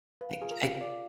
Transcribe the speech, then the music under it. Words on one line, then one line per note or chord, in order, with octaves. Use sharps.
I I
B4 F5
F4 G#4
A#4
F5
D5 F5